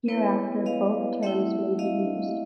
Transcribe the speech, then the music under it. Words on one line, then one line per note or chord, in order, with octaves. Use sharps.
Hereafter, both terms may be used.
B3 E4 B4 C#5
D#5 F5
A3 C4 E4 E5 F#5
D#5 F5